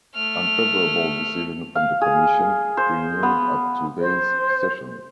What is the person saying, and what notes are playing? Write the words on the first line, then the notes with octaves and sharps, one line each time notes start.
Unfavorable decision from the commission, renewed at todays session.
A3 F6
F5
G#4
C5
B3
C5